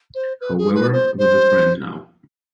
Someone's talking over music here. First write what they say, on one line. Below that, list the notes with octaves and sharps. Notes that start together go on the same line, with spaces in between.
However, we’ll be friends now.
C5
B4
G#4
B4
C5
C5